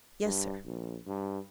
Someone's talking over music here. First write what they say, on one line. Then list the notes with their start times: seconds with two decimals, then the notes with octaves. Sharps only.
"Yes, sir."
0.24 G2
0.66 A#1
1.07 G2